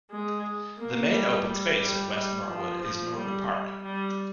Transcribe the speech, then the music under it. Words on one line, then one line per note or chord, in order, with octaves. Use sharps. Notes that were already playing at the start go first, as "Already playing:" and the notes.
The main open space in West Norwood is Norwood Park.
G#3
A#3
G3
G3
G3
G3
F3
F3
G3
G3
G3